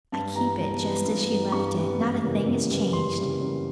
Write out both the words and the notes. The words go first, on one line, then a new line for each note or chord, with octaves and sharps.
I keep it just as she left it, not a thing is changed.
G2 A5
E3 G3 B3 A#5
G2
E3 G3 B3
G2
E3 G3 B3
G2 C#6
E3 G3 B3
F#2
C#3 E3 G3 A#3
F#2
C#3 E3 G3 A#3
F#2 C6
C#3 E3 G3 A#3
F#2